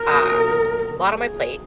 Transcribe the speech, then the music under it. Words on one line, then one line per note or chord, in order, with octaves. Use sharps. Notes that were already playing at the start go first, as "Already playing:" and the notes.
um, a lot on my plate.
Already playing: A#4 F6
D#6
D#6
G#4